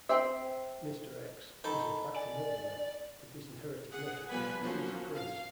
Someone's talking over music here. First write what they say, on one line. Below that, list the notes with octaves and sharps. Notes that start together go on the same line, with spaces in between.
"Mister X" is in fact a nobleman, the disinherited nephew of a deceased prince.
C4 C5 E5
D#3 A4 A#5 B5 G6
D5 G#5 F#7
G#4 F#5
F3 G3 B3 B4 G#5 B5
F3 F#3 A#3 C#4
F5